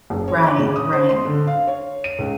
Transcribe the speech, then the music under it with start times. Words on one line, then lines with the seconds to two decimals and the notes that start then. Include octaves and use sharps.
Right, right.
0.10 F#1
0.28 C#5
0.43 D6
0.59 C#3
0.76 D#6
0.93 C5
1.09 C6
1.25 D3
1.47 F5
1.67 C#5
2.04 D#7
2.19 C#2